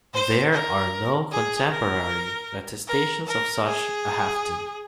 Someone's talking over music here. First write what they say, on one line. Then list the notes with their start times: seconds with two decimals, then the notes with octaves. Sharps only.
There are no contemporary attestations of such a Halfdan.
0.14 C5
0.53 A#4
1.31 G#4
1.71 A#4
2.88 A#4
3.27 A#4
3.66 G#4